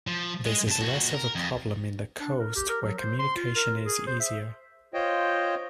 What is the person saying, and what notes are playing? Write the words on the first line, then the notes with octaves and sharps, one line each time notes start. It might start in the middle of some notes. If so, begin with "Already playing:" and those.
This is less of a problem in the coast where communication is easier.
F3
G#3
B2 A5
A#2 F#4
A#4
F2
D4
A#4
G4
A#4
F#3
C5
C6
F4
A#4
G#4
C5
E5
F4 C5 C#5 D#5 G5